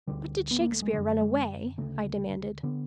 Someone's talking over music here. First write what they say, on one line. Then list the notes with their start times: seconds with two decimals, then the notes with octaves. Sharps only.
"But did Shakespeare run away?" I demanded.
0.07 D2 D3 G3
0.51 B3
0.60 A#3
0.72 A3
0.82 G#3
0.93 F#2 D3 G3
1.22 G#3
1.78 D2 C#3 A3
2.63 D3 B3